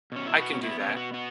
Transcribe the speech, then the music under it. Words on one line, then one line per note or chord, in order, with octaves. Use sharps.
I can do that.
B2 C#4
E4
B3 F#4
C#4
B3 E4
C#4
B2
F#4
B3 F#4